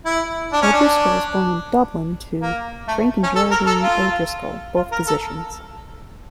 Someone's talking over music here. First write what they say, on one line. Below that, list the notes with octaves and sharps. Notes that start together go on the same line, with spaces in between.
O'Driscoll was born in Dublin to Frank and Geraldine O'Driscoll, both physicians.
E4
D4
C#4
D4
A#3
A3
C#4
A4
A#4
A4
F4
F4
A#4
A4